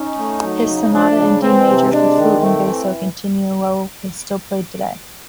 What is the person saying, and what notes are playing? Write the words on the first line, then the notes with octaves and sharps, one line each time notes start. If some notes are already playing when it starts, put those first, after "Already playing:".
His sonata in D major for flute and basso continuo is still played today.
Already playing: C#4 D#4
A3
F#3
C#3
F3 D4
C#3
E3 C4
C3
G#3 D4
D#3
A3 C4
E3